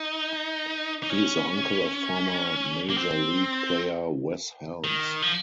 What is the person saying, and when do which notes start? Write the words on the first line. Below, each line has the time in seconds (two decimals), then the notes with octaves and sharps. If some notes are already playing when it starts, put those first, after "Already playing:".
He is the uncle of former Major League player Wes Helms.
Already playing: D#4
1.03 D#4
1.10 C#4
2.90 A#3
2.98 C4
4.84 D#3
5.22 F3